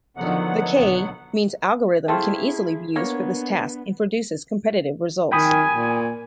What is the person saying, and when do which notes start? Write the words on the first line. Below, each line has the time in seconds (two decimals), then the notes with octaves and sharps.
The "k"-means algorithm can easily be used for this task and produces competitive results.
0.17 D3 D#3 F3 F#3 B3 F#5
0.76 B1 D3
2.08 A3 C4 E4 F4 G#4
2.96 A#3 B3 D4 C#5
5.32 D#3 G5 G#5 B5 D#6
5.70 A#2